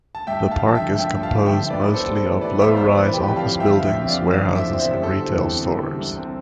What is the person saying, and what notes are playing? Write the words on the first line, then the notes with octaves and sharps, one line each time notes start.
The park is composed mostly of low-rise office buildings, warehouses and retail stores.
A5
G2 E5 G5
G5
G2
F5 A5
F3 A5
E5 G5
D3
G2 E5 G5
G2
F5 A5
F3 F5
E5 G5
D3
A2 B4 D5
B3
A4 C5
G3
E3
A2 B4 D5
B3 C5 E5
F5
G3 C5 E5
E3 B4 D5
F2 G4 B4
G5
C4
F5 A5
F3
F5
E5 G5
D3
F5
F2 E5 G5
C4
D5 F5
F3
D5 F5
D3
E2 C5 E5
C4
C5 E5
G3
A4 C5
D3
E2
C4
G3
D3
C2
C4